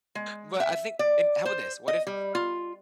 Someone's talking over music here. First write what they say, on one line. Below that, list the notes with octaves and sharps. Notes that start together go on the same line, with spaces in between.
But I think and how about this? What if
G#3
E5
D5
C5
D#5
G3
F4